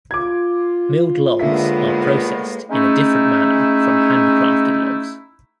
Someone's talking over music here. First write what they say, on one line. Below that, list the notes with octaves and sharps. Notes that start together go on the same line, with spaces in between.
Milled logs are processed in a different manner from handcrafted logs.
F4 D6 G#6
A#1 A2 D3 G#3 A#3 B3 E5 B6
G#3 A3 C#4 D#4 E4